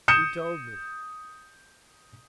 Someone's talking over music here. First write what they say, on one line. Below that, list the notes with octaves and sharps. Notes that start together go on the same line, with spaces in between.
He told me.
D#6 G6 C#7 E7